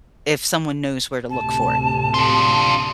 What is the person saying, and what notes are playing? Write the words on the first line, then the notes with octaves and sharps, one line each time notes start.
if someone knows where to look for it,
D2 A2 C3 A5
D4 F4